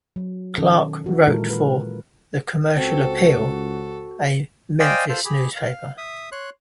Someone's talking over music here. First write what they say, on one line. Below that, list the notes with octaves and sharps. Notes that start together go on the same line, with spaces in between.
Clark wrote for "The Commercial Appeal", a Memphis newspaper.
F#3
B2 D#3 C#4 A4
E3 F#4
A#2 G#3 E4 F4 A4 A#4
B4
C#2 C4 F#4 A4
C5 D5 D#5 F5 G5 G#5
F4 A4 C5
G4 G#4 B5
F5
E5 D#6
C#5 C6 F#6